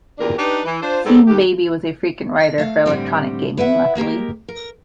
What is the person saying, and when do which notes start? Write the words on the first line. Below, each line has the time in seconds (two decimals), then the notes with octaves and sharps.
Seanbaby was a frequent writer for "Electronic Gaming Monthly".
0.18 E2 A#2 D4 G4 A#4
0.38 D4 D#4 G4 B4
0.65 E3
0.82 D4 F4 C5
1.05 G#2 G3 B3 A4
1.27 D#2 G4
2.58 A3 E5 F5
2.86 A2 D3 G3 C4
3.57 E4 B4 E5 F#5
3.95 G#3 A#3 G4 A#4
4.48 A#4